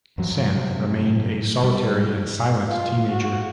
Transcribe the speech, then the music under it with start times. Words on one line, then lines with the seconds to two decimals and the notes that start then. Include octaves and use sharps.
Sen remained a solitary and silent teenager.
0.18 G2 F3 F#3
0.55 G2 C3 F#3
1.64 G3
2.68 F4
3.12 F#4